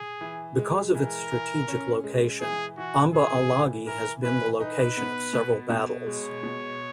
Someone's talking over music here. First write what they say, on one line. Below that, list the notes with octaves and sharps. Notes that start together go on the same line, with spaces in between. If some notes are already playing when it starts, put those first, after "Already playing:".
Because of its strategic location, Amba Alagi has been the location of several battles.
Already playing: G#4
E3
G#3
E3 A#4
E3
C#4
G#3
E3 G#4
E3 F#4
E3 G#4
E3
E3 A#4
E3 B4
D#4 B4
B3
B2
B2
G#3 C#5
B2